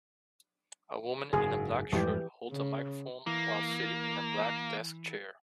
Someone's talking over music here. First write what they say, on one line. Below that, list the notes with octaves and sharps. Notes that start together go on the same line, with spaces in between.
A woman in a black shirt holds a microphone while sitting in a black desk chair.
F#1 G#2 G#4
F2 G#2 E3 G3 G4
C#3
E3 A#3